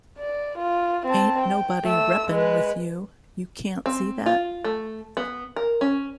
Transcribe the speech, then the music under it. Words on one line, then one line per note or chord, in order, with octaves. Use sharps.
Ain't nobody reppin' with you, you cant see that?
D5
F4
C4 A5
G5
A3 E6
G#3 B4
C4
F4
A3
B3
A#4
C#4